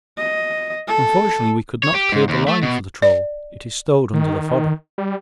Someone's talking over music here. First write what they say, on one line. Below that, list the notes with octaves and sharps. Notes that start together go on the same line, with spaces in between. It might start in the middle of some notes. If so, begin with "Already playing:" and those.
Unfortunately we could not clear the line for the trawl--it is stowed under the fodder.
D#5
A4
C#5
G4
G#2
D#2
A3
B2
D5
D#3
G3